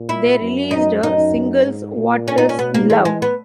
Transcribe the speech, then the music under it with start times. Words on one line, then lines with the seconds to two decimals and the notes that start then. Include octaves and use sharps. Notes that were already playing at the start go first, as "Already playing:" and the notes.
They released singles What Is Love?
Already playing: A#2
0.09 E4
0.41 F#2
0.71 D#4
1.03 F#2 D#4
1.65 G#2
1.97 A#2
2.28 C#4
2.38 D#4
2.49 C#4
2.58 B2 B3
2.74 A#3
2.90 E3 G#3
3.05 G#3
3.22 B3